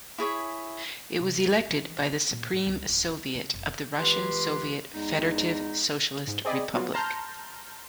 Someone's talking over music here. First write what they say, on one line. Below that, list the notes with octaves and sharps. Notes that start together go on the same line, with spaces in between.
It was elected by the Supreme Soviet of the Russian Soviet Federative Socialist Republic.
E4 G#4 C#5 E5
C3
F2
E3
C#3
C#4
A#2
G#2
C#2
D1
D3
C#3
F1
C#2 E3 G4 B4 C6
E2 G#3 D#4
G#2
C4 G#4 D5 D#5 B5
F#3 B3 F4 F#4
A5 A#5 C6 F6 G6